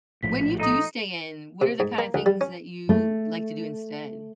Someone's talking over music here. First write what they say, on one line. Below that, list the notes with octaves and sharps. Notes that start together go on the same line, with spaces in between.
when you do stay in, what are the kinda things that you like to do instead?
A#1 A2 F3 B6
D#4 A4 D#5 A#5 D#6
C3
G#2
A#3
D2
G3
C#4
A3